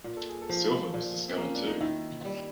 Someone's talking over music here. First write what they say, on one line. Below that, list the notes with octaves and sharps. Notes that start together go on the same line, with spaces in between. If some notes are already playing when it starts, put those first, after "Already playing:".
Silver was discovered too.
A#2
A4
G#4
A4
F3
A#2
C4
A#3 C#4
D4
D#4
D#3 E4
G3